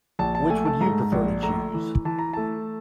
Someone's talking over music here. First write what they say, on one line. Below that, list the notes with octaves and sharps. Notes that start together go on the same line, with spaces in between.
Which would you prefer to choose?
A#1 A5
A5
A3 G#5
A5
G#2 A#5
A#1
A3 A#5
E3
E3 A5
A#5
A3 A5